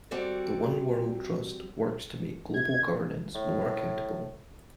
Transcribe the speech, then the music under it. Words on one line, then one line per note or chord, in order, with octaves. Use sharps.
The One World Trust works to make global governance more accountable.
G3 C4 F#4 A4 D5
G#6
A2